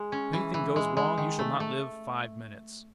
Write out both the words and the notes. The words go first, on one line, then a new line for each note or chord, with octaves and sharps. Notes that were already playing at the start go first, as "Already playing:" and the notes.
If anything goes wrong you shall not live five minutes.
Already playing: G#3
C#4
E3
E3
G#3
G#3
D#3
A3
A3